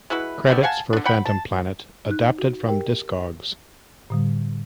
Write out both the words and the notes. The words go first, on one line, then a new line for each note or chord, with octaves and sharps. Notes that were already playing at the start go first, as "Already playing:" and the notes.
Credits for "Phantom Planet" adapted from Discogs.
G#3 E4 F#4 B4
G3 A3 B3 D4
F5 F#5 G#5 A5
D3 D4
F#5 G5 B5
A5
D#4 F#6
F#4
G4 A#4 G5
A2 D3 G3